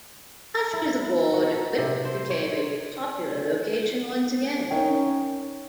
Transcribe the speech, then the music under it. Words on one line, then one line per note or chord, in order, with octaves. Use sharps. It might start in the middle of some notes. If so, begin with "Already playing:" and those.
After the war, De Kuip became a popular location once again.
E4
E4
F#4
A4
C3
C5
C#5
C#4 D#4 A#4 C#5 G5